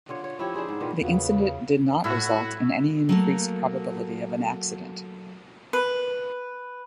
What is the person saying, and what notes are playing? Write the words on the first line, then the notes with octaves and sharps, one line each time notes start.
The incident did not result in any increased probability of an accident.
D3 F4 C#5
C#5
F3 E4 G4 C#5
D4 E4 G#4 C5
G#2
A#2 D#3 A#3 B3
E2 C#3 A#3 F4 F#4 B4
A2 E4 F#4 E5
F#3 A3 A#3
B4